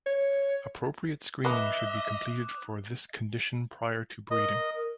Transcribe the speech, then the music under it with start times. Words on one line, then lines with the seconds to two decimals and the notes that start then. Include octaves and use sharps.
Appropriate screening should be completed for this condition prior to breeding.
0.06 C#5
1.45 B4 D#5 E5 B5 D6 D#6 F#6
4.31 A#4 D#5